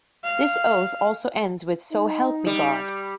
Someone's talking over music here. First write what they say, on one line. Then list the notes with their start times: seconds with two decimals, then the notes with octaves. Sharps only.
This oath also ends with So help me God!
0.24 F5
1.92 D#4
2.46 G3